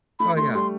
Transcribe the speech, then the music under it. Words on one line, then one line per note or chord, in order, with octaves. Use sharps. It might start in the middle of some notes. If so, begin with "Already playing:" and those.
Oh, yeah.
A3 B5
A3 C6
G3 C6